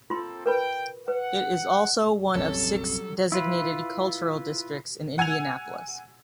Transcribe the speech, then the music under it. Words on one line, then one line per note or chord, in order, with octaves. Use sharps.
It is also one of six designated cultural districts in Indianapolis.
A#3 C4 F4 A4 C6
A#4 B4 G5 B5
B4 F#5
F1 A#1 F#3 G3 C4 C#4 A4
E4 F4 B4
F#5 G#5 E6 G#6 F7